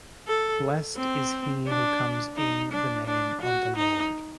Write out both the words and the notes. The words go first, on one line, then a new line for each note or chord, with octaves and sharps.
Blessed is he who comes in the name of the Lord.
A4
C4
D4
D#4
D4
D4
F#4
D#4